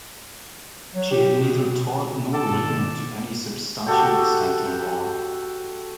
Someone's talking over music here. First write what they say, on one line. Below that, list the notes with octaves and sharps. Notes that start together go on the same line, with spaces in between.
She had neither taught nor written to any substantial extent on law.
F#3
G4
B2
B2
A4 D6
G#2 B2 D#3
F#4 G4 A4 G5